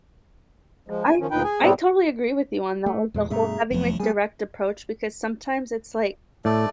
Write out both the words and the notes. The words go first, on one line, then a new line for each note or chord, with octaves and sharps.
I I totally agree with you on that, like the whole, having, like, direct approach, because sometimes it's like
F3 G#3
G#5
D#3 F3 C#4
D2 A#2 D#4 B4 G5
G#4 G#5
A2 C3 G3 B3 C4
A3
E2 A#2 G#3
G2 B2 A3 G#4 E5 A#5
F1 F2 F3 F#3 A3
G3 A#3 G#4 G#5
A2 A3 D5